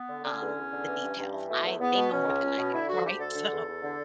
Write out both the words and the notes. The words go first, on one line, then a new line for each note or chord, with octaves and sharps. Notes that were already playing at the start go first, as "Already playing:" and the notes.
um, the details. I they know more than I do, right? So,
Already playing: B3
D3
D3 C#4
E2
E2
D3
E3
G2
G2
E3
B2 A3
E2
E2 B3
B2
B2 C#4
C#2
C#2
B2
D3 E4
D2 F#4
D2 G4
D3 A4
D3
E2
E2
D3